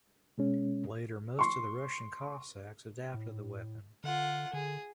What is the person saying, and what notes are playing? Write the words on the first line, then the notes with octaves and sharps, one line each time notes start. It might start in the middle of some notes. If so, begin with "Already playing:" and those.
Later most of the Russian Cossacks adopted the weapon.
B2 G#3 C#4
C6 C#6
A2
D3 F4 F#5
D3 G#4